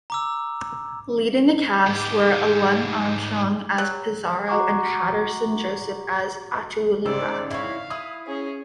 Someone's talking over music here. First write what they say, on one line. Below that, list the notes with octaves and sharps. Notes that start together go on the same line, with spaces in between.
Leading the cast were Alun Armstrong as Pizarro and Paterson Joseph as Atahualpa.
A#5 D6 E6
G#2 G4
F#3
F#4 F#5 A#5 C#6 D6
G#1 C#3 C5 D5 E6
E4 F#4 C#5 F5
E4 D#6
C#4 G#4